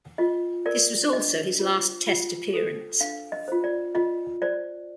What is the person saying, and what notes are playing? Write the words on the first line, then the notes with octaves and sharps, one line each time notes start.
This was also his last test appearance.
F4 D#5
A#4 D5
D4 D#5
F4 C5
F4
A4 C5
D4 F5
D#5
F4 C5
D5
F4 D#5
C5 D5